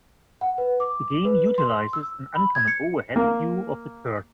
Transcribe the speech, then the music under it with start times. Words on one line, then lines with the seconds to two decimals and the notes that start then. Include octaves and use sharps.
The game utilizes an uncommon overhead view of the court.
0.41 F#5
0.58 B4
0.80 D6
1.25 B4
1.58 C6
1.93 E6
2.35 B5
2.55 G#6
2.68 C#7
3.16 A#3